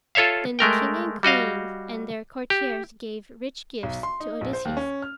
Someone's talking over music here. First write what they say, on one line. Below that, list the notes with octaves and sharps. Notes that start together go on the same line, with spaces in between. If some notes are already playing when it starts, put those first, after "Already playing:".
Then the King and Queen and their courtiers gave rich gifts to Odysseus.
F4 A4 C#5 E5 F5
G#3 A3 A#4 G5
G3 F#4 D#5 F5
G4
B1
C6
D#4
A#1
C5
D#2
C#4
F6